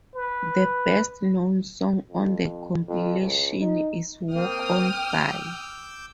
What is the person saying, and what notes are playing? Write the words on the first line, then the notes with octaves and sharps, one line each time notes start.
The best known song on the compilation is "Walk On By".
B4
F2
F2
C#2
D#4
A#3 C4 G5 D#6 F6
D6 E6 G6